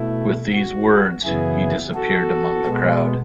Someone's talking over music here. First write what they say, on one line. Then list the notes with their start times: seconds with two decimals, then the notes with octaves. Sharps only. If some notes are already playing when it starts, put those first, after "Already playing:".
With these words he disappeared among the crowd.
Already playing: B2 A3 E4
0.53 F#4
1.24 F#2 C#3 E3 B3 E4 G#4
1.95 F#4 A4
2.65 B2 G#3 B3